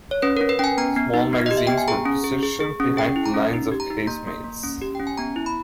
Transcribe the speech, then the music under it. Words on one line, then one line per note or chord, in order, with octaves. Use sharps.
Small magazines were positioned behind the lines of casemates.
C#5
C#4 B4
C#4 A#4
B4
C#4 G5 G#5
B3 A#5
B3
D#4
B3
G4 D#5
E5
B3 G5
G#5
G#4 A#5
C#4
G#4
G#4
G#4
C#4
G#4 G5
E4
A#5
C#4
D#4
G4
A#5
D#4
A#3 A#5
A#3
A#3
C#4
G4
C#4 G5
G#5
B3 A#5
E4
B5